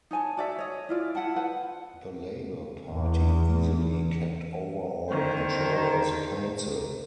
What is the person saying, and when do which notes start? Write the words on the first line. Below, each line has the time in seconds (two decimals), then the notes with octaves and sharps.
The Labour party easily kept overall control of the council.
0.11 D#4 C#5 G#5 A5
0.37 F#4 D5 E5
0.59 C#5 D#5
0.89 E4 F4 D5
1.15 E4 F#5 G5 A5
1.36 B4 C5 F#5
2.89 E2
5.08 D3 D#3 C5